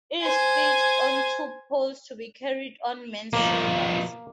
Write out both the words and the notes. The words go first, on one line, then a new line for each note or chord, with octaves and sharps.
It is fixed on two poles to be carried on men's shoulders.
C5 G#5
B2 F3 A#3